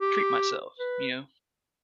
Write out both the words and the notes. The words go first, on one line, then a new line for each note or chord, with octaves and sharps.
"Treat myself," you know?
G4
B4